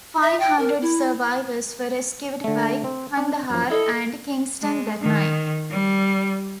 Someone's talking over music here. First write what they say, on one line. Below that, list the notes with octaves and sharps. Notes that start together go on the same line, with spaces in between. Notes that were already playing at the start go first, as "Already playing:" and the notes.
Five hundred survivors were rescued by "Kandahar" and "Kingston" that night.
E5
G5
A#4
E4
D3 A3
C4
D4
F#2 F3
E4 A4 D#5
G#3
D#3
G3